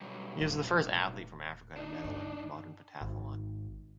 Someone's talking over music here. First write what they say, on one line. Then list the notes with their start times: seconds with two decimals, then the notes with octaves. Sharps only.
He is the first athlete from Africa to medal in modern pentathlon.
0.01 B2 F#3 G3
0.41 D#1 A2
1.77 D4 D#4
2.04 G2
3.01 G#1